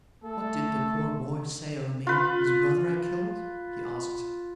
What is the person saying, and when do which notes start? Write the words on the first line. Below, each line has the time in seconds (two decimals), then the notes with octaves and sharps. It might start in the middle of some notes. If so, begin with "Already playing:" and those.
"What did the poor boy say of me, whose brother I killed?" he asked.
0.24 A3 A4
2.07 F4 B4